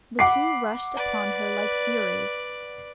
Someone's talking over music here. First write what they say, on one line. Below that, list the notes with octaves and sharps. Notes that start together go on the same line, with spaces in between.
The two rushed upon her like furies.
F#5 B5 D6 C7
B4 D5